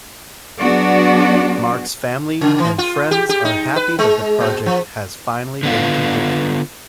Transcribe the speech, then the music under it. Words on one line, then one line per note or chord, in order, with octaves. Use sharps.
Mark's family and friends are happy that the project has finally been completed.
F#3 B3 D4 F#4 G#4 D5
C#3
E3
F4
G4
G4
D#4
B4
G#3
A#2
F3
D3 B3 F4